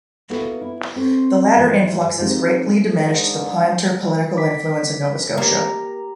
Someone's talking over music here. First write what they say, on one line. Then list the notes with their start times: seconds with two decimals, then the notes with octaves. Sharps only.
The latter influxes greatly diminished the Planter political influence in Nova Scotia.
0.30 A#3 B3 E4 F#4 A4 A#4
0.62 E4
0.96 C4 F#4 A4 C5
1.56 G#2 E3 F3 A3 E4 F#4
2.19 G#3 A#3 C4 D#4 F#4 G4
2.96 G#2 D4
4.37 D6 B6
5.38 A#3 G4 A#5